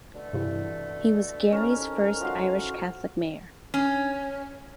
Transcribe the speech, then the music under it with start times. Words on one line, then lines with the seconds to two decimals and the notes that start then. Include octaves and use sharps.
He was Gary's first Irish Catholic mayor.
0.13 B2 D3 A3
0.33 G2 C3 E3
1.52 C2 D#3 C#4 A4 A#5 F6
2.21 F3 F#4 F5
3.74 C#4